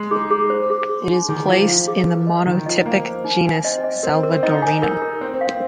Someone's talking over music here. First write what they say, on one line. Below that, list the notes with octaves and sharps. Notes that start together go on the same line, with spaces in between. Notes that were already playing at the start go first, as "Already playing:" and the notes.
It is placed in the monotypic genus "Salvadorina".
Already playing: G#3
D#4 G#4
G#4
C5
G#4
G#4
D#4
D#3 G#4
F3 F5
F3 F5
G#4
A#4
D#5
D#3 F4
F3 D#5
A#3 C5
C5
D#4
G#5
C4 D#5
D#5
C4 A#4
A#4
C4
D#4 D#5
G#5
D#4 A#4
A#4
C4 C5
C4
F5
C4